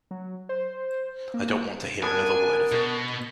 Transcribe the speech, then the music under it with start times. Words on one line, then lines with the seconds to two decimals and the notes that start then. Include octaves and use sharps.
I don't want to hear another word of it.
0.11 F#3
0.49 C5
1.34 A#3
2.03 B3 D4 A#4 G#5
2.72 B2